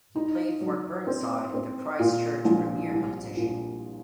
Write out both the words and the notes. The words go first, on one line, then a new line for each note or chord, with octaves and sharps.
He played for Burnside in the Christchurch premier competition.
D#4
F#3
C4
C4
A#2
A#1
C2
A#2